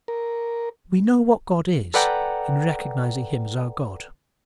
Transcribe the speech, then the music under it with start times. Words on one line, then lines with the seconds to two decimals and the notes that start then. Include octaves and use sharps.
We know what God is in recognizing him as our God.
0.08 A#4
1.94 A4 B4 D5 F#5 G5 A#5